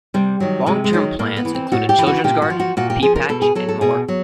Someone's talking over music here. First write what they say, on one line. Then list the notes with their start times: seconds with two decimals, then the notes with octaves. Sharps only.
Long term plans include a Children's Garden, a Pea Patch, and more.
0.14 C3 G3
0.40 D#3 F#3
0.66 C3 G#3
0.84 G#3
0.93 D#3 F#3
1.19 A2 A#3
1.37 B3
1.45 E3
1.54 C4
1.72 A2 F#4
1.89 G4
1.98 E3
2.07 F#4
2.24 A#2 G4
2.42 F#4
2.50 F3
2.60 F#4
2.77 A#2 F#4
2.90 G4
3.02 F3 G#4
3.16 A#4
3.29 B2 A4
3.42 G#4
3.55 F#3 A4
3.69 A4
3.81 B2 G#4
4.08 F#3